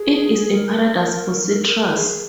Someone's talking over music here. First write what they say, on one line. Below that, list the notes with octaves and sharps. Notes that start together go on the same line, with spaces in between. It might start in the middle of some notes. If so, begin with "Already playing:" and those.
It is a paradise for citrus.
Already playing: G#4
A#4
G#4